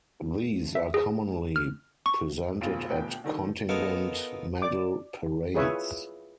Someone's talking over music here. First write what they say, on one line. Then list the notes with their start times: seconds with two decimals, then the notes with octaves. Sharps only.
These are commonly presented at contingent medal parades.
0.75 E5
0.94 G#4
1.56 F6
2.06 C#6
2.61 F1 B1 F4
2.89 D#1 D2 B3 G5
3.24 D3 D#3 G3
3.69 B3 D#4 F4 A4 A#4 C#5
4.62 D5 D6
5.54 E4 F4 G#4 B4 C#5 E5